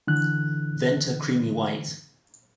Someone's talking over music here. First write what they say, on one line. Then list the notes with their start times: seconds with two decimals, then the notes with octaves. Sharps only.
Venter creamy white.
0.07 D3 E3 F#6